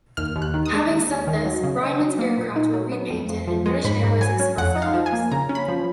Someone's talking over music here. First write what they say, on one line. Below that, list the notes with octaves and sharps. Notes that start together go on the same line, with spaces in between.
Having said this, Brymon's Aircraft were repainted in British Airways Express colours.
D#2 F6
D#2
F#6
D#3
D#6
G#3
D#2
D#2
D#3
F#3
C#3
D#4
F#3
A#3
A#2
D#4
F#3
B3
F2
F2
F3
G#3
G#2 B5
G#2
F#3 G#5
C#4
F2 F#5
D#4
F5
F3
G#5
A#3
C#3 A#5
C#4
B5
F3